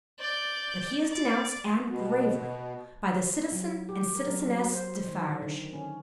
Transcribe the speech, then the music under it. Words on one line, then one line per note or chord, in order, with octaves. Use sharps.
But he is denounced--and gravely--by the Citizen and Citizeness Defarge.
D5 G6
D5
B2
F#3
G4
A#4
F#3
F#3
C5
D#3
D#3
D3
C#4